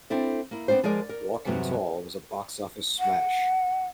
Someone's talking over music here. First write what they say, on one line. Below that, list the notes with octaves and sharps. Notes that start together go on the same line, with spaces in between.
"Walking Tall" was a box office smash.
C4 D4 E4 A4
A#3 E4
B3 C4 D4 F4 C5
F3 G#3 G#4 A#4 D5
A#4
E2 G2 C3 F#3 B3
F#5